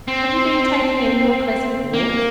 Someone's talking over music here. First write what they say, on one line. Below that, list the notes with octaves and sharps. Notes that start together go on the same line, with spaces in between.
'Have you been taking any more pleasant walks?'
C4
A#3